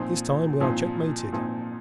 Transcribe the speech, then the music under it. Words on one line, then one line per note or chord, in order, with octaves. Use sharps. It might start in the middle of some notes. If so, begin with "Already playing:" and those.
"This time we are checkmated."
Already playing: A#2 F3 C4 D#4
A#2 F3 C4 D#4
A#2 F3 C4 D#4